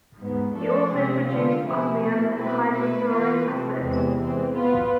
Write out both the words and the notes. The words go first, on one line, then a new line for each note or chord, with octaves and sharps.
He also produced osmium and hydrofluoric acid.
G#2 G#3 B3
F3 A3 D4 A4
C3 G#3 C4 G#4
D3 G#3 C4 F4
C3 F3 A3 E4 G#4
B2 A3 E4
B2 A3 C4 E4 B4
B2 A3 E4 B4
E3 B3 F4 B4
C3 F3 A3 C4
E2 C3 E3 G#3 C4
E3 G#3 C4
B2 B3 F4 B4